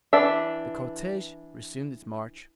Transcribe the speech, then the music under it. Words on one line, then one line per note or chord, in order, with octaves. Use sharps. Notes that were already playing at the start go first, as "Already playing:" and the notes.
The cortege resumed its march.
E3 D4 E5